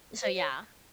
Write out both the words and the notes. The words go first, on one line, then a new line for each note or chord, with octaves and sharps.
so yeah.
C5
C#5